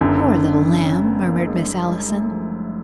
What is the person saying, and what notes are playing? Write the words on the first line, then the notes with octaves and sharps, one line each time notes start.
"Poor little lamb," murmured Miss Allison.
F#1 F#2 D3 C4
D4
C#4
B3
A#3
G#3
G3
G#3
A3
F3